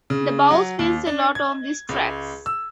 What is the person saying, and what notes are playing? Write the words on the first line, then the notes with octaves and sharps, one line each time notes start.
The bowl spins a lot on these tracks.
C#3
F#3
D#2
D4
G#6
C#2
E6